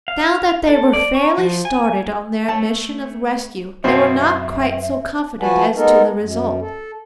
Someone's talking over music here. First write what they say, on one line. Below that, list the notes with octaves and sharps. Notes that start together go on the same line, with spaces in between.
Now that they were fairly started on their mission of rescue, they were not quite so confident as to the result.
F5
A4
D5
C#6
F3
G#5
A3 A5
F#2 B2 C4 C5 E5 F5
F3 F#4 B4 F#5 G#5 A5
G#3 B3 D#4 A4 A#4
F#2
A4